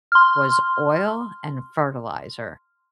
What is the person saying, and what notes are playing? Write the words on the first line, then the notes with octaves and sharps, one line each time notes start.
was oil and fertilizer.
C6 F6